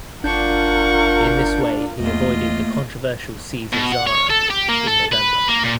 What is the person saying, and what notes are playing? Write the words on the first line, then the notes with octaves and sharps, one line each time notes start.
In this way he avoided the controversial siege of Zara in November.
G1 D4 F4 A#4 F#5 C#6 G6
E2 A3 A#3 F4 D#5
B2
F#5
C#5
A4
G4
A#3
A4
B4
A#3
A#2